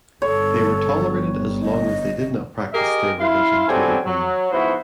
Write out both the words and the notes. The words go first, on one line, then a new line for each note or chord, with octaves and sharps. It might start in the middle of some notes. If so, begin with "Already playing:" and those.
They were tolerated as long as they did not practice their religion too openly.
G1 A4 C#5
D#5
G4 G#4 A#4 D#5
E4 F5 C6
F#2 F#3 G3 C4 A4 G#5
F#3
G#2 F3 B3 E4 F#4 C5